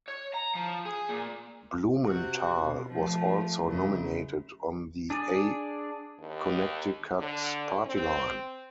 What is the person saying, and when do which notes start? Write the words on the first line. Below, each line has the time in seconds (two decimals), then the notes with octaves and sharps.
Blumenthal was also nominated on the A Connecticut Party line.
0.08 C#5
0.34 A#5
0.55 F3
0.85 G#4
1.09 A#2
2.05 C3 C4 F#4
2.62 B2
2.91 F3 A3
3.64 F#2 C#3
5.10 D4 G#4 D5
6.19 D#2
7.19 D3
7.86 C4